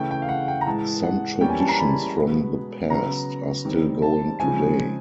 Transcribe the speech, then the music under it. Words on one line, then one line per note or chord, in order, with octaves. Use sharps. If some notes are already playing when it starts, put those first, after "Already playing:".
Some traditions from the past are still going today.
Already playing: C#3 E3 A3 G5
G5
F5
F#5
G5
A#5
A2 E3 G#3 A5
F#5
E3 G3 A#3 C#4 G5
G#5
A5
A#5
B5
B2 G#3 B3
C#3 F#3 B3 A#5
D#3 G3 C4
A5
C#3 F3 G#3 C4 G#5